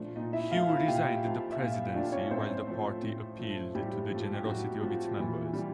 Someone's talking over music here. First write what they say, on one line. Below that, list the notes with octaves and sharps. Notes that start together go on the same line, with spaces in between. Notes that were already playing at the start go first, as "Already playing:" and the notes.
Hue resigned the Presidency while the Party appealed to the generosity of its members.
Already playing: A#2 F3 A3 D4
A#2 D#4 D#5
E4 E5
F3 A3 F4 F5
E4 E5
A#2 G4 G5
F3 A3
E5
A#2 F4 F5
F3 A3 D4 D5
C#4 C#5
A2 C4 C5
F3 A3
A2
F3 A3
A2 G3 G4
F3
A3
G4
A2 F#3 F#4
F3 A3 F4
A#2 E3 E4
G3